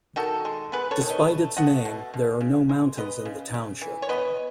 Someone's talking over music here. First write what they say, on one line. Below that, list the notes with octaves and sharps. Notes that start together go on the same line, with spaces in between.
Despite its name, there are no mountains in the township.
D#3 F#4 A4
G#3
B3 G#4 B4
A4 C#5
D#3
B4 D#5
A3
A3 D#5 F#5
B2
B2
C#3
G#3
B3 B4 D#5
C#3
C#3
E3
C#5
B3 B4 D#5